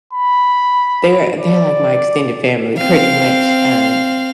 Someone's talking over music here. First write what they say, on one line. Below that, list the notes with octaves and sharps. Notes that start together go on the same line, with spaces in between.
they're they're, like, my extended family, pretty much, um
B5
D5
C4 F5